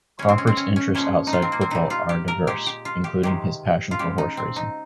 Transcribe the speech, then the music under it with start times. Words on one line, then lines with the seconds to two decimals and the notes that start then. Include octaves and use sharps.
Crawford's interests outside football are diverse, including his passion for horse racing.
0.19 C#3 G#3 C#4
0.29 C4
0.38 C#4
0.47 C4
0.57 C#4
0.76 C#4
0.95 A#2 F3 G#3 C#4
1.27 D#4
1.33 F4
1.42 C4
1.52 A#3
1.61 C4
1.70 A#2 G3 D#4
1.90 F4
2.09 G4
2.28 A#4
2.47 A#2 G#3 G4
2.66 G4
2.85 F4
3.04 G4
3.23 C3 D#3 G#3 G4
3.91 F4
3.99 C#3 G#3 G4
4.18 D#4
4.37 C4
4.56 D#4